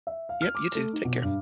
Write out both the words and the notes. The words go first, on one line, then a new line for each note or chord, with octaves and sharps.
Yep. You too. Take care.
E5
F5
F6
D6
A3
D#4
B2
G2